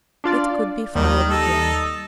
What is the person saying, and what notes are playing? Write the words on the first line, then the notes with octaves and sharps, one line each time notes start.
It could be fired again.
D4 F4 D5
D#2 D#3 G3
D#4 A4